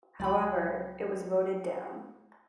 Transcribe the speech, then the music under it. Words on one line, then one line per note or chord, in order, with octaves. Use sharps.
However, it was voted down.
C#2 F#3 F#4 D5 G5 B5